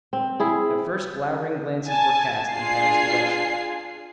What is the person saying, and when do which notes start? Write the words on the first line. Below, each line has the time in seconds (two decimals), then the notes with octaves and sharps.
At first glowering glances were cast in Tad's direction.
0.13 C4
0.40 E4 G#4
1.87 G#5 A5
2.52 D4 F4 G#4 G#5 C7